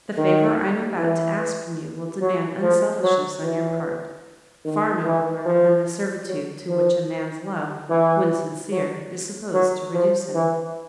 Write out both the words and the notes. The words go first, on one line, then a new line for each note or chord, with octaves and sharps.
The favor I am about to ask from you will demand unselfishness on your part, far nobler than the servitude to which a man's love, when sincere, is supposed to reduce him.
D#3
E3
F#3
F3
F#3
E3
D#3
E3
F3
F#3
F3
E3
F#3
F#3
F3
E3